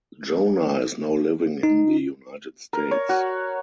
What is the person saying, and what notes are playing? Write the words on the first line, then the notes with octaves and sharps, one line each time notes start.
Jona is now living in the United States.
D#4
A#4
C#5
F#4